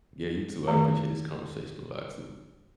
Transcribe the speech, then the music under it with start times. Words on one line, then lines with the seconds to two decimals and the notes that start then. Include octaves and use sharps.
Yeah, you too. I appreciate this conversation a lot, too.
0.68 D#3 A3 G#4